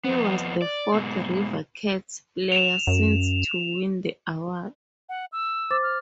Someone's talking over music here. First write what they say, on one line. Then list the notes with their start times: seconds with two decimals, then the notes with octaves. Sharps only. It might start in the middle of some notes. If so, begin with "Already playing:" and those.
He was the fourth River Cats player since to win the award.
0.05 F2 B3
0.62 D5
0.94 G#2 B2
2.52 E7 F7
2.87 F#2
5.09 F#5
5.32 E6
5.71 C5 D6 A6
5.83 F6